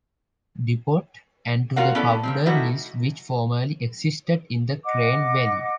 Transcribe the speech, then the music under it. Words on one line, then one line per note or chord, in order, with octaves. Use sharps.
Depot, and to the powder mills which formerly existed in the Crane Valley.
F4 F#4 A#4 C#5 F5 F#5
B3 C#4 E4 A4 D5
A#2 G3 C4
D#3 G3 A3 E4 F#4
D#5 F#5 D6